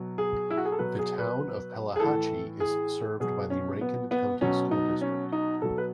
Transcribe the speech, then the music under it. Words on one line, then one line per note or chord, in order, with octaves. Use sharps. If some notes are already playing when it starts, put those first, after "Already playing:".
The Town of Pelahatchie is served by the Rankin County School District.
Already playing: B2 F#3
G#4
E4
F#4
G#4
A4
B2 F#3 B4
G#4
B4
G#4
A2 E3 A4
G#4
B2 F#3 G#4
C#4
B3
B3
B2 F#3 C#4
D#4
C#4
D#4
B2 F#3 A4
B4